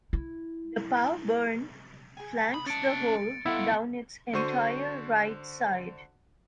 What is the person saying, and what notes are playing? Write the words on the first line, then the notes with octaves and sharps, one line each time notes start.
The Pow Burn flanks the hole down its entire right side.
E4
G#4 G#5
B5 D#6
C#4 A5 A6 C#7 D7
B3 E4 A4 F5 F#5 C6
D3 F#4 C5 C#6 D#7